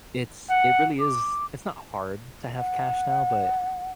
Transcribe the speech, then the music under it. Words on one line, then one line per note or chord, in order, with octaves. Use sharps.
it's it really is it's not hard to have cash now, but
F#5
D6
F#5